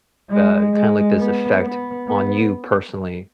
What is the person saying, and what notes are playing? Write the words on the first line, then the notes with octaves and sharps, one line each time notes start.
uh, kinda like this effect on you personally
G#3
G#3
B3
B3
B3